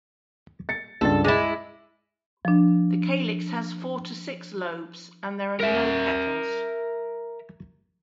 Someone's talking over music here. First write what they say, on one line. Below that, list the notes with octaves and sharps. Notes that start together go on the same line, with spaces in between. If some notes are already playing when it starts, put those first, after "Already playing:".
The calyx has four to six lobes and there are no petals.
A6 C#7
C#2 G2 A4 A6
G#3 E4 D6 A6
F3 D4
A#4 E5